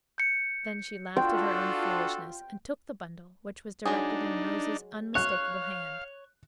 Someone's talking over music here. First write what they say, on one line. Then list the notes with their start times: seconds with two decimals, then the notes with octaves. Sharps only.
Then she laughed at her own foolishness, and took the "bundle," which was directed in Rose's unmistakable hand.
0.18 G6 C#7
1.17 D4 F4 F#4 A4 G5 C6
3.86 F#3 G#3 D4 D#4 G#4
5.15 C#5 F5 F#6